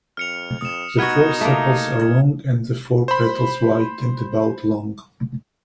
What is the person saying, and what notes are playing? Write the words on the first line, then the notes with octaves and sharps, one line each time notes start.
The four sepals are long and the four petals white and about long.
F2 F6 C#7 F7
F2 D#6 E7
B3 D#4 F#4 F6 G#6 C#7
A3 A#3
C5 B5